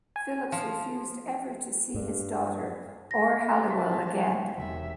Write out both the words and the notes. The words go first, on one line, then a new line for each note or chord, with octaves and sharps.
Phillipps refused ever to see his daughter or Halliwell again.
G#5
F3
G2
A#6
F#4 G#4 C5 A5 C6 B6
C#5 G5 G#5
E1 C3 D#3 E5 B5